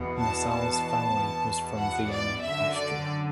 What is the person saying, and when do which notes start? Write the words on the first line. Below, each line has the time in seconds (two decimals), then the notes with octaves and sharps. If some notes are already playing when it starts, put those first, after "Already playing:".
Nossal's family was from Vienna, Austria.
Already playing: E2 B2
0.19 A5
0.50 A5
1.14 E2 B2
1.77 F#5
2.09 D5
2.41 F#2 D3 E5
2.74 D5